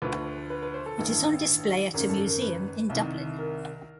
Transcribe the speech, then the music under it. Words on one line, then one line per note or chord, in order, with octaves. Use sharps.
It is on display at a museum in Dublin.
D2 D3 F3 B4
B4
B4
C5
A4
A1 G2 D#3
G#1 F#2 C#3 A#4
A4
A#4
B4
C2 C3 D#3
A#4